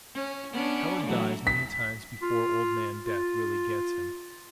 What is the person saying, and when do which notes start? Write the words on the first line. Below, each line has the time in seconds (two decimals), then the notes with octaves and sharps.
A coward dies many times before Old Man Death really gets him.
0.15 C#4
0.53 B3 C#4 D4
1.05 E3 F#3 A3
1.47 B6
2.22 F4
3.06 F4